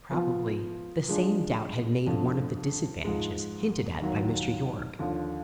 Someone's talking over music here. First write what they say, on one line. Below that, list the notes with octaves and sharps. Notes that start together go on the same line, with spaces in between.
Probably the same doubt had made one of the "disadvantages" hinted at by Mr. Yorke.
F3 B3 F4
F3 G#3 D4 G#4
F2 D3 F3
G#2 F3 G#3
D#2 D#3 F#3
D#2 D3 F3